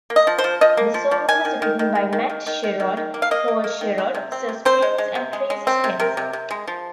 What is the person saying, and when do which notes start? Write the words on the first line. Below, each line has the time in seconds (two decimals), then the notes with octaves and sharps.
The song was written by Matt Sherrod, Paul Sherrod, Sir Spence and Tracie Spencer.
0.10 A#3
0.16 D#5
0.27 F3
0.38 C5
0.44 F3
0.61 F3 D#5
0.77 A#3
0.94 F3
1.11 F3
1.28 D#3 G#5
1.45 D#3
1.62 D#3
1.79 D#3
1.95 D#3
2.13 D#3
2.30 D#3
2.47 D#3
2.63 D#3
2.80 D#3
2.97 D#3
3.14 A#3
3.22 F5
3.31 A#3 D#5
3.48 A#3
3.64 A#3
3.81 D#3
3.98 G#3
4.15 C3
4.32 C4
4.49 C3
4.65 C4 C5
4.82 G#3
4.98 G#3
5.15 C3
5.33 G#3
5.50 G#3
5.67 C4
5.84 C3
6.00 C3 A#4
6.17 C3
6.33 C3
6.51 G#3
6.68 F3